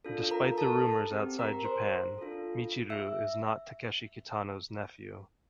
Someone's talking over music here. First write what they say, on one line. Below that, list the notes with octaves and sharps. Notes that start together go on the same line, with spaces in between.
Despite the rumours outside Japan, Michiru is not Takeshi Kitano's nephew.
D4 F4 A4
A#4 A#5
A4 A5
C4 G4
A#4 A#5
C5 C6
D4 F4 A4
E5 E6